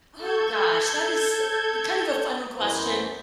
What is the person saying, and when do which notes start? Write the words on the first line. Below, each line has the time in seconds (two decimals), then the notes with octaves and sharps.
Oh gosh. That is, uh, kind of a fun question.
0.18 A4 G6 G#6
2.57 F#2 E3 B3 C5 A#5